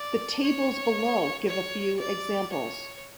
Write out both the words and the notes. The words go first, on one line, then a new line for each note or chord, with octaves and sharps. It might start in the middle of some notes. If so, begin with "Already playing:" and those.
The tables below give a few examples.
Already playing: D5
C#5
C#5
D5
C#5